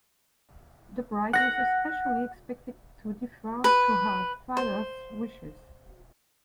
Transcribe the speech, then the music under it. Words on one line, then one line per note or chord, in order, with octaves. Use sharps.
The bride was especially expected to defer to her father's wishes.
F#5 F#6 A#6
B4
C5